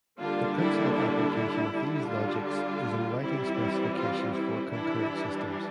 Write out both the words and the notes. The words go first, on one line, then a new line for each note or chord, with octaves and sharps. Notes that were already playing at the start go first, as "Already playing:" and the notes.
The principal application of these logics is in writing specifications for concurrent systems.
D3 G3 A#3 D4 F4
E4
E4
D3 G3 D4
F4
F4
E3 G3 C4 E4
F4
E4
E3 G3 D4 E4